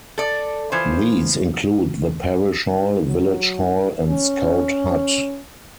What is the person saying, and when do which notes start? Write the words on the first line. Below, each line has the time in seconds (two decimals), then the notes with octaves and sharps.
These include the parish hall, village hall and scout hut.
0.18 A4 D5
0.72 E3 F3 C5
3.07 F#3
4.09 C#4